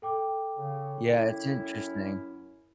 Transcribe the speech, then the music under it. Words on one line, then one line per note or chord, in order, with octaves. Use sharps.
Yeah, it's interesting.
A4 G5 D6
C#3
F#2 C#4 E4